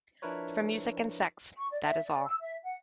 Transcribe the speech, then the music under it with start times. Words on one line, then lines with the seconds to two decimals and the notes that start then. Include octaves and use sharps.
For music and sex, that is all.
0.22 F3 D4 E4 A#4 B4 C#5
1.57 C#6
1.71 D5
1.83 E5
2.05 D5
2.25 E6
2.42 E5
2.63 F#5